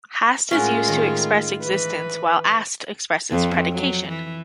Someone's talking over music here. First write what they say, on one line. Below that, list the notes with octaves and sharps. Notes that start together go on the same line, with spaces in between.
"Hast" is used to express existence while "ast" expresses predication.
A2 G#3 C#4 F4 A#4 F#5
D#3
E3 B4
F2
F#3
E3